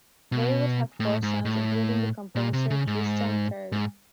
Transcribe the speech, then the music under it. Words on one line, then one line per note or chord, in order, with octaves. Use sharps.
They would have four sons, including the composer, Tristram Cary.
B2
A2
G#2
A2
A#2
C3
C#3
G#2
G#2